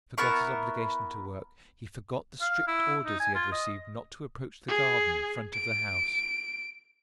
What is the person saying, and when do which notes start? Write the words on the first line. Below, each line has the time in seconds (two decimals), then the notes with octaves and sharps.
He forgot his obligation to work; he forgot the strict orders he had received not to approach the garden-front of the house.
0.18 B3 E4 A#4 C#6
2.41 F5
2.68 E4
3.06 D#4
3.20 G#5
3.35 F4
3.52 D#5
4.68 G#4
5.54 D7